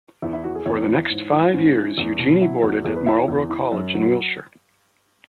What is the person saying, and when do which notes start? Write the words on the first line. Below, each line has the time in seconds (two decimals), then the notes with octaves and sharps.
For the next five years, Eugenie boarded at Marlborough College in Wiltshire.
0.22 E2 E4
0.33 E4
0.44 E3 F#4
0.55 G#4
0.66 E2 C#5
0.88 E3
1.10 G#2
1.31 E3
1.53 G#2 C#4
1.75 E3
1.98 E2
2.19 B2
2.40 F#3 E4
2.62 E2 F#4
2.84 E2 G#4
2.96 B4
3.06 E3 E5
3.17 C#5
3.28 E2
3.49 E3
3.72 F#2
3.94 F#3